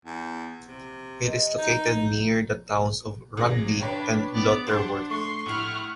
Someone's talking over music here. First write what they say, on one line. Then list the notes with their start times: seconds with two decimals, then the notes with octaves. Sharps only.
It is located near the towns of Rugby and Lutterworth.
0.05 E2
0.67 C3
1.26 D#5
1.58 D#4
3.37 G#1 G#4 A#6
3.80 D4 B4 C#5 G5
4.35 B3 D5
4.67 D4 C5 F#5 C6
5.10 A3 C6 C#6
5.46 A2 E4 F#5 F6